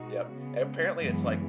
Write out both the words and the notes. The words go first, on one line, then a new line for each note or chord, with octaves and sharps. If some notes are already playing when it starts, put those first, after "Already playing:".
Yep. And apparently, it's like
Already playing: B2 G#3 D#4 F#4
C#3 G#3 B3
F#2 C#3 E3 G#3 B3